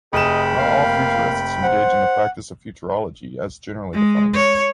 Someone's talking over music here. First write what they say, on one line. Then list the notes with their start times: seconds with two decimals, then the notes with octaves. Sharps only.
Not all futurists engage in the practice of futurology as generally defined.
0.13 F1 G#4 D#5 G5 B5 E7
0.59 A#3 F5
1.63 C5 F#5
3.93 G#3
4.33 C#5